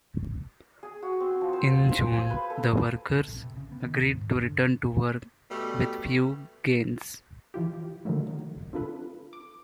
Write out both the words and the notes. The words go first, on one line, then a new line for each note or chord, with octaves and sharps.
In June, the workers agreed to return to work with few gains.
G#4
F#4
C4
F3
C5
C5
C5
G#5
B4
A4
C3
A#1
C3
C#3
B3
D#3
D#1
G#2
F#1
D3
B2 G3 A3
E3 F3 F4 G4
D3 D#3 F3 F#3 A3 A#3
C4 D4 F4 A4 B4
D6